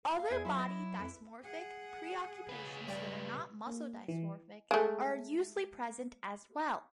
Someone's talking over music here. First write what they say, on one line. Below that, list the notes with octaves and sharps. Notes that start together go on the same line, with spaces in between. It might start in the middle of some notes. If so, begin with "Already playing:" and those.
Other body-dysmorphic preoccupations that are not muscle-dysmorphic are usually present as well.
F5
E2 E4 G#4
F#3 E4 F4 B4
D#5
F2 B4
G#4 F#5
C#3 B4
G2 G3 D5 G5
A#3
E3
G#3 A3